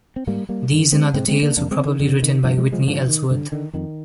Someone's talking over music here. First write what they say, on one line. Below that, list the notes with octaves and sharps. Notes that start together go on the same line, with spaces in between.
These and other tales were probably written by Whitney Ellsworth.
C4
G#2 G3 A#3
G3 A#3
G2 D3
D3 G#3 C4
G#2 G#3 C4
G#3 C4
A#3 D4
F2 A#3 D4
G#3 C4
D3
D#3
F2 D3
C3 D#3
G2 D3 F3
F3 G#3
D3
F3 G#3
G#2 D3 F3
D#3
G2 D3
D3 D#3
F2 D#3